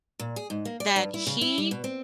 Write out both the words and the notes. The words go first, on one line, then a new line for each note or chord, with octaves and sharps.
that he,
A#2
G#4
G#2
A#3
D5
G2
E4
C#3
E4
G3
B2
C4